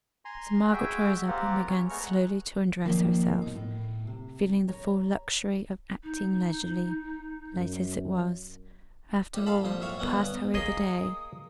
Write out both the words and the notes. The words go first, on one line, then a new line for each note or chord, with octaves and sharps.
So Margaret rose up and began slowly to undress herself, feeling the full luxury of acting leisurely, late as it was, after all the past hurry of the day.
G#5 A#5 C6
G#3 F#4 G#4 E5 G5 G#5
A#3 C4 F4 G4 A#4 F#5
C#4 C#5
G#3 A3 B3 A#5 C#6 F6
F#6
D#3 F3 A#3 C#4 D#4
B2 D#4
A2
C3
C#5 A#5
D#4
F#2
A2 G3 G4
A4 F5 A5 B5
A#1 F2 G3 G4 C6
F#2 A2 E5 F5 C#6
D3 D#3 G3 B3 C#4 F#4
G2 B3
A#3 E4 G#4 C#5 D#5 G#5 D#6